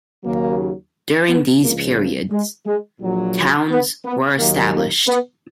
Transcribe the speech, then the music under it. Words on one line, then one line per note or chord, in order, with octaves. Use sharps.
During these period, towns were established.
D#2 C#3 F#3 A#3
B3
C#2 C#3 F3 A#3
A#3
G#3
G#3
A#1 A#2 F#3
B3
B3
D#2 D#3 F#3 A#3
A#3
B3